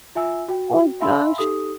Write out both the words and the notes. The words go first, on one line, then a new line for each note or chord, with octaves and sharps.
Oh gosh.
F4 E5 G#5 E6
F#4 G5
E5 F5 G#5 B5 C6 E6
D#4 G4 A4 D#6